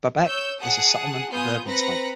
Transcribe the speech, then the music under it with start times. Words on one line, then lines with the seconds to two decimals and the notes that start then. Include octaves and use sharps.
Babek is a settlement of urban type.
0.23 C#5 E6 G6
0.61 G#4 F#5 A5 D#6
1.31 B3 F4 G#5 D#6 G6
1.65 C4 B4 A#5 B5 A#6 C#7